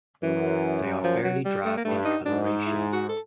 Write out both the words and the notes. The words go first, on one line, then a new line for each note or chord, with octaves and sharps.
They are fairly drab in coloration.
F#2 E3
F3
F#3
G3
A3
A#3
G2 A3
D#4
G#2 D4
D#4
E4
F#4
A4